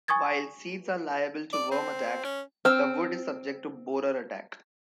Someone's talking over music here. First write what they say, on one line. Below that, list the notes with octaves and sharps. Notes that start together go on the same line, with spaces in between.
While seeds are liable to worm attack, the wood is subject to borer attack.
G#5 C#6 D#6 G#6 A6
D5
C4
C#4
C4 E6 F6